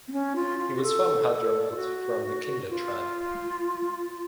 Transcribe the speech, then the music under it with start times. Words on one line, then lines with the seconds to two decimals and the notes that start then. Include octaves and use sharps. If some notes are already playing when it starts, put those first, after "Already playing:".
He was from Hadhramaut from the Kinda tribe.
0.08 C4
0.12 C#4
0.36 F4
0.59 F4
0.76 F#4
0.83 A4
1.29 A4
1.72 F4
1.76 F#4
2.70 F4